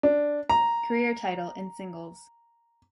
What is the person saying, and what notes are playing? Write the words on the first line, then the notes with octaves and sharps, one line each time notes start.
Career title in singles.
D4
A#5